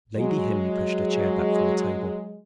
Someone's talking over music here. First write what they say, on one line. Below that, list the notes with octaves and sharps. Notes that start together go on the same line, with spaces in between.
Lady Henry pushed her chair back from the table.
F#3 G#3